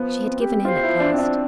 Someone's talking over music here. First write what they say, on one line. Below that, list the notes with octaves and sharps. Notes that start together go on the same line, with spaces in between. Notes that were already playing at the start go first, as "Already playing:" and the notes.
She had given in at last.
Already playing: F3 B3
C4
G4
F4 C5
E4
F3
D4
C4
D4